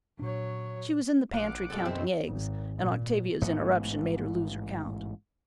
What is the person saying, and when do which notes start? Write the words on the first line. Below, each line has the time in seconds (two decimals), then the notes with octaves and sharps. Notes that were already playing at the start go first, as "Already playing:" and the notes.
She was in the pantry counting eggs, and Octavia's interruption made her lose her count.
0.19 A#2 F#3 D4 C#5
1.34 A#1 F5 F#5 D6
1.70 F#2 B2 G#3 A4
1.85 C4 E4
2.26 G#1
2.77 A#2
3.42 A1 G#2 B2 B3